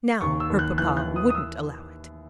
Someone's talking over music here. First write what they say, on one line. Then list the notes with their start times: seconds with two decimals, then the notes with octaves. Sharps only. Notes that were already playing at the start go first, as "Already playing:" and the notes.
Now her papa wouldn't allow it.
0.21 D#2 C#6
0.40 E6
0.50 D#2
0.59 F#6
0.78 E3 F#6
0.97 F#6
1.06 E3
1.16 D#6
1.30 D#6
1.35 E6